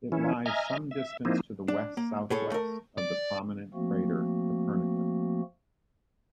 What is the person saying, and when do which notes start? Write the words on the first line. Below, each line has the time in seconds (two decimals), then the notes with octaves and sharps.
It lies some distance to the west-southwest of the prominent crater Copernicus.
0.12 E3 C#4 E4
0.46 D#5 E5 G#5 A#5 F6
0.91 E5
1.25 F3 A#3 C4 D#4 E4
1.68 D4
1.97 A#3
2.30 A2 G#4 A4 C#5
2.52 A3 A#4
2.98 D5
3.74 F3 A3 A#3 C4 F#4